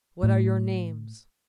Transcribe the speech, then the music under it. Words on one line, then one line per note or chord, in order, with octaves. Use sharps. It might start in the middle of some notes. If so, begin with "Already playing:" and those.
"What are your names?"
A2